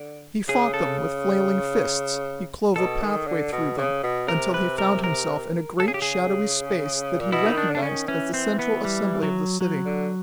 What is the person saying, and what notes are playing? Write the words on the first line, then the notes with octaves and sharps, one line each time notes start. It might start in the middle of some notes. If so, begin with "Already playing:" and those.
He fought them with flailing fists, he clove a pathway through them, until he found himself in a great shadowy space that he recognized as the central assembly of the city.
Already playing: D3
C#3 G#4
A4
B2 A4
D#3
D3
B2
C#3
B2
C3 A#4
B4
A#4
A#4
C#3 A4
G#4
G4
G#4
A#2
B2 E4
D#4
D#3
D4
D3 D4
C#4
D#3
E3 C#4
C4
B3
G3
F#3
F#3
D3